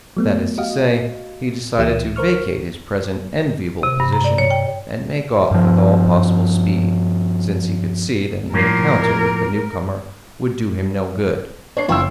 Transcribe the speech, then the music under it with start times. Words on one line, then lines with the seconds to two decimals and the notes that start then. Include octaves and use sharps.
That is to say, he decided to vacate his present enviable position and make off with all possible speed, since he could see that an encounter with the newcomer would do him no good.
0.17 F#3 A3 B3
0.58 F#4 G4 D#5 F5
1.78 C#2 E3 G4 E5 D#7 E7
2.16 A#4 C5 C#6 F6
3.83 C3
4.00 G2
4.13 A#5
4.24 D5
4.38 C#5
4.50 G5
5.51 G2 F3
8.53 A2 F3 A#3 A#4
11.77 D4 C#5 C7
11.88 F#1 E4 F4 C#5 G5 E6